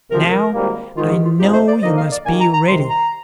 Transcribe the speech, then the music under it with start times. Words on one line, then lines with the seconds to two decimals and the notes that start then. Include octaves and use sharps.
'Now, I know you must be ready.'
0.11 D2 C3 F3 A#4
0.31 A#4
0.53 G#1 G#2 G3 A#3
0.96 A#1 G#2 D#3 F4
1.11 G4
1.25 F4
1.39 A#1 G#2 F3 C4 D#4 G4
1.53 C5
1.68 D5
1.82 D3 F3 A#3 D#4 D#5
1.97 F5
2.11 D5
2.25 D#2 D#3 A#3 G#5
2.40 A#5
2.53 A#5
2.68 C2 C3 D#3 C6
2.89 A#5